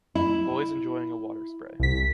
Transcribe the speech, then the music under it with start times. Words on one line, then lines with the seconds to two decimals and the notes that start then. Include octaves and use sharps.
Boys enjoying a water spray.
0.15 E4
1.80 C2 B6